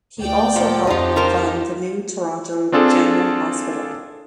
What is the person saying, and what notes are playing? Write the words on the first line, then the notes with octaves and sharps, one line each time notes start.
He also helped fund the new Toronto General Hospital.
D2 D5 G5
A#2 F3
F2 D#4 F4 G4 D#5
F4 A#4 C5
C4 D4 F4 G#4 A4